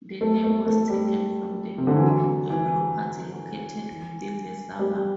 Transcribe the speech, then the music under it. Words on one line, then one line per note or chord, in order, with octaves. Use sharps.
The name was taken from the name of a property located within the suburb.
A3
A3
A3
G3
C3
D3
E3
F#3
E3
G3